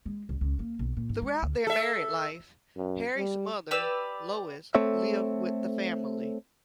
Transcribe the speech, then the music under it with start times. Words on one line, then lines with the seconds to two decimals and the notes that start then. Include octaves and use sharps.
Throughout their married life, Harry's mother, Lois, lived with the family.
0.06 G#3
0.29 C2
0.41 C#2
0.59 A#3
0.79 B1
0.97 A#2
1.09 G#2
1.22 G#3
1.42 D2
1.67 A4 E5
2.76 F#2
3.17 G3
3.71 G4 B4 D5 E6
4.75 A3 C4 A4 C#5 E5